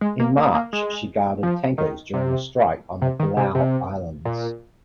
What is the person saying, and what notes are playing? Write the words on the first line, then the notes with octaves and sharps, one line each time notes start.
In March she guarded tankers during a strike on the Palau Islands.
G#3
A#3
A#3
A#3
G#3
F3
D#3
C3
C3
D#3
C3
C3
A#2